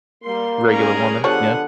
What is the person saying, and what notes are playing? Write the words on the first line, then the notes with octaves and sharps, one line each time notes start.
Regular woman, yeah.
G3 A#3 C6
G3 C#4 G#4 A#4 A#5
D3 F3 B3 G4 G#4 C#5 F#5